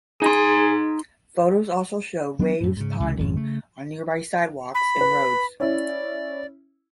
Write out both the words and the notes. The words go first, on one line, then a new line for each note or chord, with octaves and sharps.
Photos also showed waves ponding on nearby sidewalks and roads.
D#4 G#4 C6
F#3 B3 D4
F#2 A2
G#2 C#3
C#2 C3
G#1 F2 A2
C#3 A3
B5
B4
C#4 E4 D5